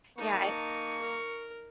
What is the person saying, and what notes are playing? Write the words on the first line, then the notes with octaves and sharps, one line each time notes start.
yeah I
A#3 D#4 A5 C#6
A#4